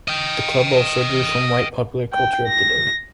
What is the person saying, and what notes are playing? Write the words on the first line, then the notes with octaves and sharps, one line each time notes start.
The club also drew from white popular culture of the day.
D#5 G5
G5
A#6